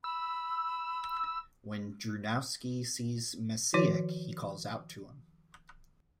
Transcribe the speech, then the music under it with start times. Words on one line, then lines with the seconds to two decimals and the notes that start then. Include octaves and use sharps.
When Drewnowski sees Maciek, he calls out to him.
0.04 B5 E6
3.74 D#3 F3 F#4 C#5